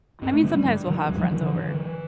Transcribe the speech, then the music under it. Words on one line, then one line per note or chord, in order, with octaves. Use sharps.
I mean, sometimes we'll have friends over
G2 C4
A3
D3 G3
G3
G2
D3 E3
G2 G3
F3
D3 E3
D3
G2 E3
D3